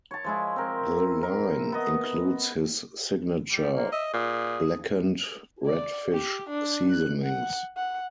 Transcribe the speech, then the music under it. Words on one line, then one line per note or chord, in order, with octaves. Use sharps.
The line includes his signature Blackened Redfish seasonings.
C#5 A5
F3 G#3 E4
C4 A#4
A#4
B3 D#5
G3
A#3
D#5 E5
A#2 G#4
D5
G4
D4
F#6
F#5
F#5